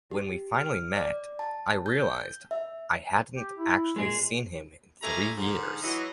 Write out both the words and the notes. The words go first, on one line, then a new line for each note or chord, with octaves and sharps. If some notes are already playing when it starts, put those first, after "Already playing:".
When we finally met, I realized I hadn't actually seen him in three years.
G4
F6
D5
A5
G6
E5
G4
E4
A#2 G#3 G#4
G2 A#2 G#3 A3 G#5 A#5
G#2 D3 F3
E3 F#3 D#5